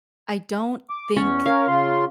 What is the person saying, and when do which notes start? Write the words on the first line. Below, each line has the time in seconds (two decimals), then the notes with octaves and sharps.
I don't think
0.90 D6
1.16 E2 C#4
1.46 C#4 A#4 C#5 F5
1.68 C#3 F4 C6